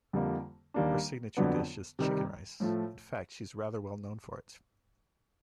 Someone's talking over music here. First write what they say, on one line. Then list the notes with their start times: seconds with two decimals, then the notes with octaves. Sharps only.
Her signature dish is "Chicken Rice"-in fact she is rather well known for it.
0.13 F2 D3 G3 A#3
0.74 D#2 D#3 G3 A#3 D4
1.37 F2 D3 F#3 B3 D4
1.99 C3 D#3 G3
2.60 A2 F3 A3